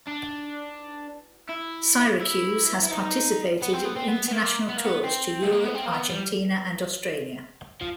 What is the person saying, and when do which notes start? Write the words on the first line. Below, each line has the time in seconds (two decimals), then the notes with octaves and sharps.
Syracuse has participated in international tours to Europe, Argentina and Australia.
0.08 D4
1.49 E4
2.21 E4
2.83 E4
2.91 D#4
3.62 B3
3.73 C4
3.85 B3
3.96 C4
4.08 B3
4.28 B3
4.32 A#3
4.69 B3
4.77 A#3
4.84 B3
5.03 C4
5.43 A3
5.52 A#3
5.64 B3
5.75 C4
5.86 A#3
5.93 B3
6.10 G3
7.81 F3